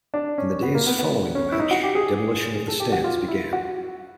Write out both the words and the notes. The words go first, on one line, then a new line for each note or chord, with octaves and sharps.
In the days following the match, demolition of the stands began.
D4
C#4
B3
A#3
B3
B3
C#4
E4
D#4
F#4
G4
G#4
G#4
A4
G4
F#4
F4
E4
F#4